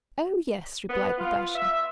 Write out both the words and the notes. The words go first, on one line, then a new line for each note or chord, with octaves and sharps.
"Oh, yes," replied Natasha.
B3
F4
E5